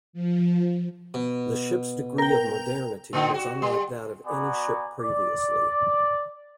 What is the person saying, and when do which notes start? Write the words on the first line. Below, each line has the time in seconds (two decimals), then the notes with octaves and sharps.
The ship's degree of modernity was unlike that of any ship previously.
0.13 F3
1.14 B2
2.18 A#4 G5
3.13 A2 D3 D#4
3.34 F#4
3.62 G3
4.26 B3 F#4 D5 G#5 A#5
5.00 D5